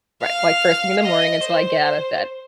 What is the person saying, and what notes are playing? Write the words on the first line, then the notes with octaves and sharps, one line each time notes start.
ri like, first thing in the morning until I get out of bed
F5
D#5
C5